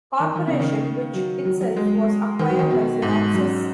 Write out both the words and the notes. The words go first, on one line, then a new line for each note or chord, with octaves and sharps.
Corporation, which itself was acquired by Synopsys.
D#3
D#3
C#3
D#3
F#3
F#3
F#3
G#3
D#3
F#3
D#3
B2
G#2
F#2